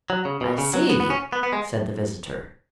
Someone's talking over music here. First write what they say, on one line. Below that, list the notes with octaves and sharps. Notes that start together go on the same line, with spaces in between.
"I see," said the visitor.
F#3
C#3
B2
C#3
F#3
B3
B3
C#4
B3
B3
G#3